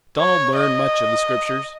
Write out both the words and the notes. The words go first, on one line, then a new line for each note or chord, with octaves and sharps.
Donald learned much of the Scriptures.
C#5
D#5